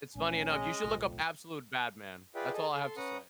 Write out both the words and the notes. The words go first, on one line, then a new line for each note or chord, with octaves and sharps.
It's funny enough. You should look up Absolute Batman. That's all I have to say.
A#1 A3 C#4 G#5
G#3 D#5
D1 B1 F2 A3
F4 G#4 B4 D5 E5 G5
G#4 A4 D#5
A4 C6
C#4 B4 F#5 A#5 D#6